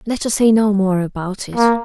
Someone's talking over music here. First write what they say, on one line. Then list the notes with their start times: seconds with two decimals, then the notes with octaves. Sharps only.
Let us say no more about it.
1.56 A#3